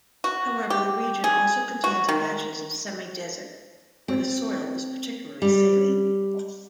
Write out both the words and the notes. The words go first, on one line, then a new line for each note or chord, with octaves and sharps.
However the region also contains patches of semi-desert where the soil is particularly saline.
F#4
G4
G#4
F#4
D#3
C4
G3